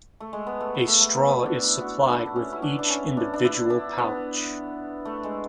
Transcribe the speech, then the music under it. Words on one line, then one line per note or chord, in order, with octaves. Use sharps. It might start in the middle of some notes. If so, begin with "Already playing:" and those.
A straw is supplied with each individual pouch.
A3
G#3
B3
A3
B3
A3
A3
B3
B3
D4
E4
F#4
D4
E4
D4
C#4
E4
D4
D4
C#4
D4
D4
E4
D4
B3
A3
G#3